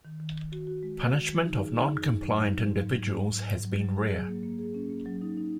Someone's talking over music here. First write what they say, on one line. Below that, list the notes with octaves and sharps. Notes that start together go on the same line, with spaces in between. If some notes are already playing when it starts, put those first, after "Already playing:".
Punishment of noncompliant individuals has been rare.
D#3
D#3
D#3
F#4
F#4
G#3
G#3
D#3
F#3
D#4
G#4
D#4
F#2
D#4
F#3
D#4
F#3
G#2
G#2
F#3
G#2
G#2
G#2
F#3
F#3
G#4
F#3
A#3
A#3
G#4
C#4
A#3
F#3
D#4
D#4